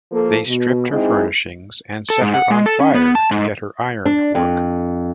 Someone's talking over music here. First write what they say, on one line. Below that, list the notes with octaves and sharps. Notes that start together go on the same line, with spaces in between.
They stript her furnishings and set her on fire to get her iron worke.
F3 A#3 A4
B2
G#3 C4 D#4 E4 G#4
A4
G#2
F#5
G#3
A4
C#4
B3
A5
G#2
D4
F2